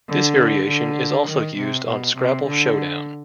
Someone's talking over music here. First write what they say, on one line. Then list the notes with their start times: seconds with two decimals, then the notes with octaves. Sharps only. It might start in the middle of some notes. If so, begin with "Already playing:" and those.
This variation is also used on "Scrabble Showdown".
0.09 D3
0.68 D3
1.28 D#3
1.58 C3
1.88 B2
2.17 C3
2.47 D3